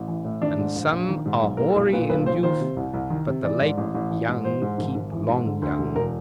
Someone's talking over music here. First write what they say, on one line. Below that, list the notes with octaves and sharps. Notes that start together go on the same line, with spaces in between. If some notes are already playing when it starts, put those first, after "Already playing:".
And some are hoary in youth, but the late young keep long young.
Already playing: A1
E3
A2
D#3 D4
G#2
A#1
A#1
D#3
G#2
B1
A#2 A#4
A4
B1
A#2 B4
B1 B4
A#2 C5
D#3 C5
C3
C2
C2
D#3
C3
E3 D5
G#2
A1
A1
E3
G#2
E3 C5
G#2
G#1
G#1
E3
G#2
D3
D2
E1
E1 A#4